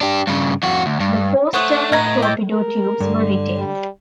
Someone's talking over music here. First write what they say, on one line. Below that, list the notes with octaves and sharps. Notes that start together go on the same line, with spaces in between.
The four stern torpedo tubes were retained.
D4 G4
G2 C#3
F2 F#4
D2
G2
A3 C5 C#5 F#5 C#6 D#6 F#6
A2 B4 D#5 A#5 G#6 A#6
G5 D6 E6 G6 A6
A#4
G2 D3
G3